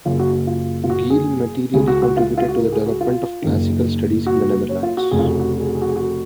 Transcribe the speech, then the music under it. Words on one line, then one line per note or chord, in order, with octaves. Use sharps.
Geel materially contributed to the development of classical studies in the Netherlands.
F#1 F#2 C#3 F4
F#4
F#4
F4
F4
F#4
G#4
C#2 C#3 G#4
F#4
F#4
F4
F4
F#4
A#4
G#4
F#4
F4
F#1 F#2 D#3
F#4
C#5
F4
F#4
F1 F2 C#3 G#4
F4
F#4
F#4
F#4
G#4
F#4
G#4
F#4
G#4
F#4